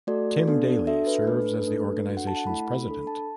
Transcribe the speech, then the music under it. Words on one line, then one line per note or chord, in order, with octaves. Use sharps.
Tim Daly serves as the organization's president.
A3 F#4 A4 D5
B3 D4 A4
D4 F#4 A4 E5
B4
A3 D4 A4 B4
A3 D4 A4
D4 F#4 A4
F#5
A5
F#5
A3 E4 A4 B5
B5
D4 A4 B5
A5